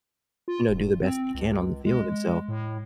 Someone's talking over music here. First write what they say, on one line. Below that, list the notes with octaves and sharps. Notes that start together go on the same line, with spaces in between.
you know, do the best they can on the field and so,
F4
D#1
C4
C#2
G#3
A2